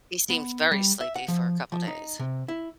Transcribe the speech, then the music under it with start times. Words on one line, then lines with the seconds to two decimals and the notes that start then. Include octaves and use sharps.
he seems very sleepy for a couple of days.
0.30 B3
0.71 G3
1.01 E5
1.16 F#5
1.28 F3
1.72 F3
1.88 D#4
2.19 C3
2.48 E4